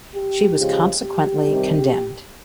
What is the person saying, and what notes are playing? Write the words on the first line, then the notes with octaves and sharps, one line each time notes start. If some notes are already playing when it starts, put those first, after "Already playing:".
She was consequently condemned.
G4
C#3 F3 G#3
G4
C3 D#3 G3